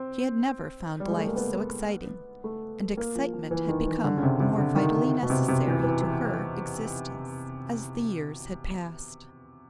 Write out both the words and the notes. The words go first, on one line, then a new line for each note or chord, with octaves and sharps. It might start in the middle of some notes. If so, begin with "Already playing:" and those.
She had never found life so exciting and excitement had become more vitally necessary to her existence as the years had passed.
Already playing: C4
G3
G#3
A3
A#3
B3
A3
A#3
F3
F3
E3
D#3
E3
D3
C#3
C3
C3
D3
D#3
B2
C3
C3
E3
E3
E3